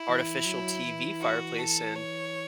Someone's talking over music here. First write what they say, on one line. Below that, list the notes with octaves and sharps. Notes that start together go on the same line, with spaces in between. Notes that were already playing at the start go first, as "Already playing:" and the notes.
artificial, TV fireplace and
Already playing: E4
E3
F#3
E3
F#4
A4
C#5